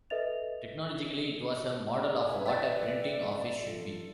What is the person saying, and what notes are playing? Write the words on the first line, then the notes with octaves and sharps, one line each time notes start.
Technologically, it was a model of what a printing office should be.
A4 B4 D#5 E5 A6 F7
B4 E5 G#5
D5 E5 G5 A6
F4 A4